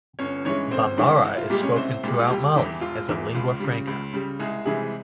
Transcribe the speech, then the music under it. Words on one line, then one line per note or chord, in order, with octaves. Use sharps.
Bambara is spoken throughout Mali as a lingua franca.
G1 C#4 C#5
G2 E3 G#3 C#4 C#5
G1 C4 C5
G2 E3 G#3
C2
F4
A#2 G3 G#3 G4
C#4 C#5
C2 C4 C5
A#2 G3 G#3 G4
F4
E1 G3 G4
E2 E3
E1 F4
E2 E3
C#2 F4
C#3 G3
C#2
C#3 G3
C2 G#3 G#4
C3 E3 G3 G#3 G#4